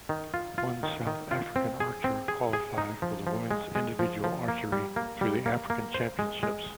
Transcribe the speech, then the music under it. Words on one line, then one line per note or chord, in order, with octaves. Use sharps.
One South African archer qualified for the women's individual archery through the African Championships.
D#3
F4
F4
D#3
D#3
F4
C4
G#4
C4
G#4
G#4
D#4
F3
F3
G#3
G#3
F3
F3
A#3
G3
A#3
G3
A#3
A#3
C5
G#3
G#3